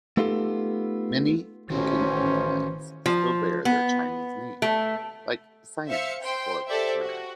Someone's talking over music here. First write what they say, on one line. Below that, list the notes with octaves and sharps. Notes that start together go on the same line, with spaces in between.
Many cooking implements still bear their Chinese name, like sianse or turner.
A3 B3 D#4 F4 G4 A4
A1 D#3 C#4 F#4 C5
F3
B3
A3
C5 E5 F5 C#7
C5 G5 C6
G4 A4 C5 D5 E5
F#4